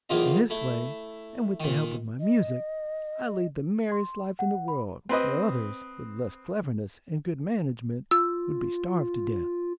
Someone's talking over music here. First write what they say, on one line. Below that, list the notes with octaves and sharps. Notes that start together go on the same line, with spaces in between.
In this way, and with the help of my music, I lead the merriest life in the world, where others, with less cleverness and good management, would be starved to death.
B1 E2 C3 A#3 F4 D#5
A3 E4
A#2 D#3
D#5
C6
F#5
B5
C4 B4 D#5
F4 E6